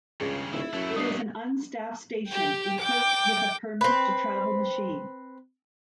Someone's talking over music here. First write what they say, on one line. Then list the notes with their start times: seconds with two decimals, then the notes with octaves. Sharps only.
It is an unstaffed station equipped with a permit to travel machine.
0.21 C#2 G2 C#3 G#4
0.53 D#1 E4
0.74 F#2 F#3 A3
0.96 G2 D4 D#4 D#6 C7
2.28 G4 G5
2.80 G5 D6
3.81 C4 B4